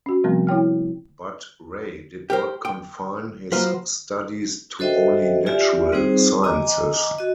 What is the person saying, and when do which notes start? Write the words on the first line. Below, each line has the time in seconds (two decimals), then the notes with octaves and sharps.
But Ray did not confine his studies to only natural sciences.
0.06 C#4 F#4
0.24 C3 F3 G3 A3 B3 C4
0.47 E4 C#5 G5 F6
2.30 G4 A#4 C5
2.65 G5
3.52 F#3 A#3 F4 B4 C5
4.79 F#4 A4 C5 D#5 E5 G5
5.46 F4 G4 D5 E5 G#5
5.92 G3 C4 D#4 F4 G#4 C5
6.44 D#5 G#5 A#5 D6
7.19 F#4 D#5